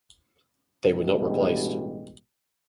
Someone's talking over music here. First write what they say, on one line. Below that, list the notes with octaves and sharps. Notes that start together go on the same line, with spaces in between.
They were not replaced.
A1 G2 B2 G#3 F#4 G4